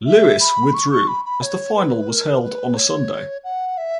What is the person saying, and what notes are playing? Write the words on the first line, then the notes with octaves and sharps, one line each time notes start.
Lewis withdrew as the final was held on a Sunday.
E5
B5
C#6
C#6
B5
B5
C#5
B4
A#4
B4
C#5
F#5
E5